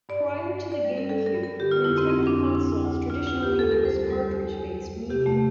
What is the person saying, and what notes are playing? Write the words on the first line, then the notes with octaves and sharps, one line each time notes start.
Prior to the GameCube, Nintendo consoles traditionally used cartridge-based media.
G2 D5
G2
G2
D5
G3
A#4
G3 A4
A#4
G2
A#4
D3 G4
F4
F2 E4
C4
F2 C4
D4
F2
E4
D2
D2
D2 F4
F4
D2
G4
E2 A4
A#4
G3 C5
A4
G3
E2
E2
E2
C3 G4
A3
C3